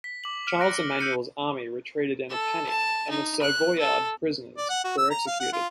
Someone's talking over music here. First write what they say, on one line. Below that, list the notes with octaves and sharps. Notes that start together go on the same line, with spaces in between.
Charles Emmanuel's army retreated in a panic and the Savoyard prisoners were executed.
B6
D6 F#7
F6 C#7
F6 F#6 A#6 D7
G7
E6 G6 C#7 D#7
A4
A5
D#4
F#6
A4
D5
F#5
F#4
E6
A#5
F5
F#5
F4